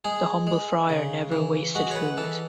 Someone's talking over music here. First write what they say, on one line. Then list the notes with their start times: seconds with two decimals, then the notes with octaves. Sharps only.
The humble friar never wasted food.
0.04 G#3 G#4
0.47 G#3
0.89 C#3
1.32 E3
1.75 G#3 F#4
1.91 C#5
1.96 B4
2.17 E3 A4